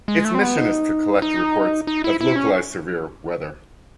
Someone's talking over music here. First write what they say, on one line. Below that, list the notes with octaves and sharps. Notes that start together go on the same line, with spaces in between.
Its mission is to collect reports of localized severe weather.
G#3
A3
C4
B3
D#4
D#4
D#4
E4
E4
C#4